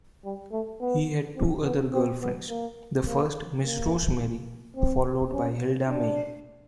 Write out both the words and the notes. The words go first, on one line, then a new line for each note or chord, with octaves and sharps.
He had two other girlfriends; the first Miss Rosemary followed by Hilda May.
G3
A3
B3
C4
B3
C4
B3
A#3
A#3
A#3
C4
C#4
D4